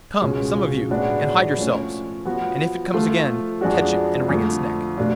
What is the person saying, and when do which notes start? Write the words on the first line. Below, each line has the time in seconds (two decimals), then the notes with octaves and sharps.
Come, some of you, and hide yourselves, and if it comes again, catch it and wring its neck.'
0.21 C#2 B2 G#3 C#4 F4
0.90 A2 G#3 B3 D4 F#4
1.57 F3 A3 C#4
2.25 F3 B3 F#4
2.94 F3 A3 F4 A4
3.61 F2 F3 G#3 D4 F#4
4.29 F2 D3 F3 A3
4.97 B2 A3 D4 F4